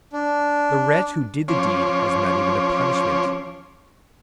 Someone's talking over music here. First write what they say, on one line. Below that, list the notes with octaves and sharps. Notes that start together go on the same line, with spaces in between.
The wretch who did the deed has not even a punishment.
D4
F3 C#4 C#5 C6 D6